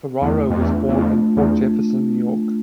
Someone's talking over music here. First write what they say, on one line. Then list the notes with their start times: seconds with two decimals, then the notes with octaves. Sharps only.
Ferraro was born in Port Jefferson, New York.
0.22 E2 A3
0.50 F2
0.59 E2 D4 F4
0.88 E2
0.98 F2 A3
1.36 E2 D4 F4